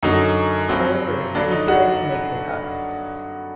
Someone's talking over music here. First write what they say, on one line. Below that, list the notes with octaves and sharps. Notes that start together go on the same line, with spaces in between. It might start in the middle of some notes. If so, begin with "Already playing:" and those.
However, he failed to make the cut.
F#2 D3 F#3 D#4
G2 F#3 C4
G2 D3 F#3 D4
D#4
F#4